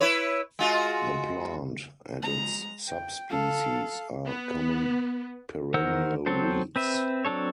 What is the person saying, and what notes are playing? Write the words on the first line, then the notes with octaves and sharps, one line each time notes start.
The plant and its subspecies are common perennial weeds.
E4 B4 C#5
G#3 F4 F#4
G#3 A#5
G5
A4 F5
B3
D#3 A#4 C5 F#5 E6
F#3 C4 A4 C5
C4 B4 E5
F#3 C4 D4 A4 C#5